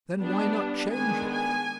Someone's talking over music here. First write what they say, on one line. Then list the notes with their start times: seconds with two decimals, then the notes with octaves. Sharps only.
"Then why not change it?"
0.19 G3 B3 D4
0.93 D#3 G#3 B3 D4 G#5
1.31 G#5